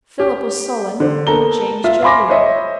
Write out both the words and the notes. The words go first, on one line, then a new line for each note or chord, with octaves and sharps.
Philip was sullen, James jovial.
G4
D3 C5
A#3 B3 A4 A#5 G7
F4 E5
F5 G#5 B5 C6 D6 A#6
C5 C#5 D#5 E5